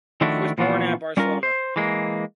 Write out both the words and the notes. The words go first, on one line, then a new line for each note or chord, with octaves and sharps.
He was born at Barcelona.
D#3 F3 A3 D4 E4 F#4
A#2 E3 F3 B3 F4 F#4
G3 C#4 F4 A#4
C5
E3 G#3 A#3